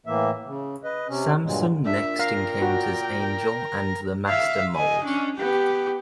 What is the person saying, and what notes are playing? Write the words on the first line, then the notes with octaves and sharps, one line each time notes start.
Samson next encounters Angel and the Master Mold.
A2 E3 A#3 E5
C#3
B4 D#5
C3 C#4
G2 A#2 F#3 G#3
A#2 D4 E5
A#4 F5 G5
F#4
E5 F5
D#5 G#5
C#4 D4
B3 G4